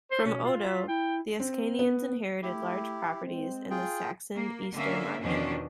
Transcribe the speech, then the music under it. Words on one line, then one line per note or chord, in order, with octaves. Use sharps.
From Odo, the Ascanians inherited large properties in the Saxon Eastern March.
C5
B2 C#4
F4
B6
E4 G5
C4
B3
A3 E4 G4
G#3 C4
F4 G#4 G5
A#3
D3 A#3 C#4 E5 F5
E2 B2 D#3 F3 C#4 D4